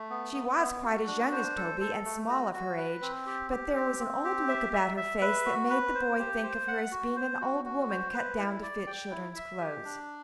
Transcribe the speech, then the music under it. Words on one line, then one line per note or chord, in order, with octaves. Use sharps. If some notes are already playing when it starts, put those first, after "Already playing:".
She was quite as young as Toby, and small of her age; but there was an old look about her face that made the boy think of her as being an old woman cut down to fit children's clothes.
Already playing: A3
B3
B3
B3
F#4
D4
C5
A4
A4
A3
F#4
F#4
B4
C4
G4
G4
C4
C4
G4
E5
E5
E5
B4
F#4
B4
C5
G4
C5
F#5
F#4
C5
F#4
F#4
C5
B4
E4
D5
G5
E4
E5
G4
D4